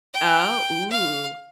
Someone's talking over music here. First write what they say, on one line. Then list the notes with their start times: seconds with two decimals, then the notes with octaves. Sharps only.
Oh Ooh.
0.13 G5
0.90 F5